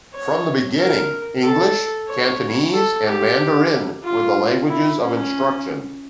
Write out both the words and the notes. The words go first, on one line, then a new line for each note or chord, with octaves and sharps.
From the beginning, English, Cantonese, and Mandarin were the languages of instruction.
C#5
A#4
A4
C#5
A4
G4
F4
E4
C#4